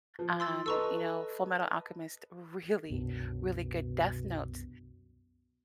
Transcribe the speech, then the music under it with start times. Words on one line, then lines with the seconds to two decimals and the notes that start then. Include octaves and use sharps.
Um, you know, Fullmetal Alchemist, really, really good. Death Note,
0.19 F3
0.40 C6 E6 A6
0.66 A4 B4 D#5 A#5 C#6 E6
2.90 C2 F#2 B2 D4